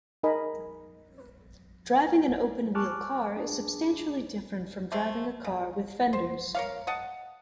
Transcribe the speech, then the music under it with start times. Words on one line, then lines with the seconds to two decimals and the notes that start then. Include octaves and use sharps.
Driving an open-wheel car is substantially different from driving a car with fenders.
0.23 D#4 A#4 D#5 G#5 B5
2.75 G#5 A5 C#6 D6 F6 F#6
3.36 D4 G#4 D5
4.92 A3 C4
5.44 C#3
6.13 C5
6.55 A#4 C#5 F5
6.87 D#5 F#5 A5